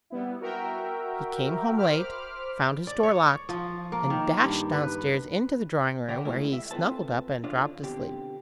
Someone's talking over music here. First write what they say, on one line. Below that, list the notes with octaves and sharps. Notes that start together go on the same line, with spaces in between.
He came home late, found his door locked, and dashed downstairs into the drawing-room, where he snuggled up and dropped asleep.
G3 B3 E4
F#4 A#4 E5 G5
C5 B5 D6 F6
D5
C#5
F3
A#3
D#3
G2
B4
C#3 A#4 D5 F#5 G5 B5
D3 G#3 A3 E4 F4
E5
C4 F4 A4 B4 C5 A5
D3 C#4 D4 F4
B2 D3 C4 G4